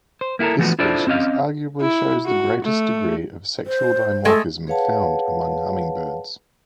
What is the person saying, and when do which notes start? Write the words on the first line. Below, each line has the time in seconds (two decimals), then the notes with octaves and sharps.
This species arguably shows the greatest degree of sexual dimorphism found among hummingbirds.
0.21 C5
0.39 A#3 E4 F#4 A4 A#4
0.58 E3 F3 A3 B3 F#4
0.79 D4 E4 F4 A4 C5 D5
1.07 C4 C#4 D#5 F5
1.81 E4
2.25 F#4
2.64 A3
3.66 C5
4.25 G#3 A3 A4
4.67 G#4 B4 C#5 F5 F#5 A5